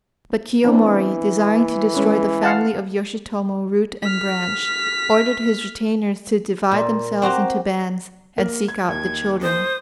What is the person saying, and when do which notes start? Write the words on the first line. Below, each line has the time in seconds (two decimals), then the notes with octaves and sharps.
But Kiyomori, desiring to destroy the family of Yoshitomo root and branch, ordered his retainers to divide themselves into bands, and seek out the children.
0.64 E3 B3 C4 D4
1.95 G#3 C#4 B4
2.43 F5 F#5 A5
4.03 F6 B6
6.71 A#2
7.22 C4 F#4 G4 A#5
8.38 A#3
8.68 G#6
8.88 D#2 G#6
9.42 C5 D#6